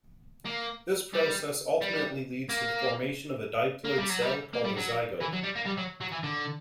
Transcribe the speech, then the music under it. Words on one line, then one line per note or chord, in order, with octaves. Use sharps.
This process ultimately leads to the formation of a diploid cell called a zygote.
A#3
G3
G3
A#3
A#3
G3
F#3
G3
A#3
G3
F#3
E3
F#3
G3
A#3
G3
F#3
F#3
E3
D3